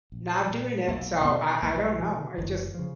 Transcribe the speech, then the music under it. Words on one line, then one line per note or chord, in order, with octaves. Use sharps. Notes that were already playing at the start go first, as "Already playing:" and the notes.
not doing it, so, I I don't know, I just
A#1
A#2
B1 A#3
B2 B3
B1 A#3
F#3
B2 F3
D#3
F#1 D#3
C#3 F3